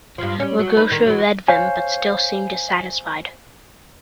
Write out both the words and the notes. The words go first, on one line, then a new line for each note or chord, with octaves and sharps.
The grocer read them, but still seemed dissatisfied.
G2 F3
G3 C#4
F#3
D#4 B4
D3 D#3
E3 F#3
C5 C#5 F5 G#5